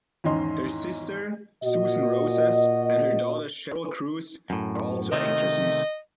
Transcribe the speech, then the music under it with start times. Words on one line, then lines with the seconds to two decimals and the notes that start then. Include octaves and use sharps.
Her sister, Susan Roces, and her daughter, Sheryl Cruz, are also actresses.
0.24 E2 G#2 D#3 C#4 D#5 C6
1.63 A#2 F#4 D#5
4.50 F#2 A2
5.12 C3 D#3 A3 D#5